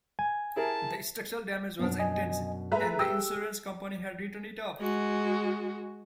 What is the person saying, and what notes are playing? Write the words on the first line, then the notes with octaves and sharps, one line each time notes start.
The structural damage was intensive, and the insurance company had written-it-off.
G#5
E4 G#4 A#4 A5
F#2 B2 B3 D4
D#5 G#5
A3 G#4 A4 B4 E5 A#5 F#6
G4 E6
G#3 F#4